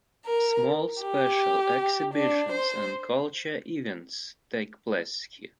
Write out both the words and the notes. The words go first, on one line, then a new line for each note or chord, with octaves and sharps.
Small special exhibitions and cultural events take place here.
A#4
G4
D4
C5